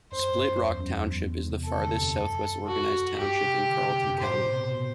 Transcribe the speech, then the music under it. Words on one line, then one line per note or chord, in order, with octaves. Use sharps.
Split Rock Township is the farthest southwest organized township in Carlton County.
F#2 C5
G2
F#2
E2
F#2
E2
E2
C3
A4
D3
C3
F#2
F#4
G2 G4
C3
D3
C3
F#2
A2 C5
C3
B2
B2
B2